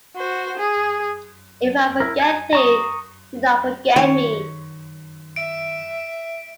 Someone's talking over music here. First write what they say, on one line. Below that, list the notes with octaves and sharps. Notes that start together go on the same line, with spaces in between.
If I forget Thee, do not forget me.
F#4 C5
G#4
E4 A#4
G#5
A#5 C#6 D#6
D#3 C#5
E5 D7